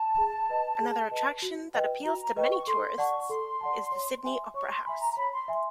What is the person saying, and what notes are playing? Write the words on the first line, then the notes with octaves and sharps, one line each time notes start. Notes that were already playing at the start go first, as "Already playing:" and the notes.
Another attraction that appeals to many tourists is the Sydney Opera House.
Already playing: A5
G#4
B4 D#5
G#4
B4 D#5
F#4
B4 D#5 G5
F#4 A#5
A#5
B4 D#5 G5 C#6
C#6
A4 C6
D5 F#5 A5 C#6
A4 C6
D5 F#5 A5
C#5
E5 G#5 C6
C#5 C#6
C6
E5 G#5 B5 C6
A#5
A#5
C#5 B5
C6
E5 G#5 C6